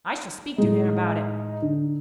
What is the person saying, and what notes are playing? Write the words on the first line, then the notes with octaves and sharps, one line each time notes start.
I shall speak to him about it.
A2 G#3 D#4
D3